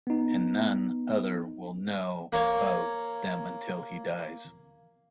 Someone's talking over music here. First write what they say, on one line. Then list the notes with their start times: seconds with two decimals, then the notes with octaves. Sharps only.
And none other will know of them until he dies.
0.07 B3 D#4
2.33 A#3 C#5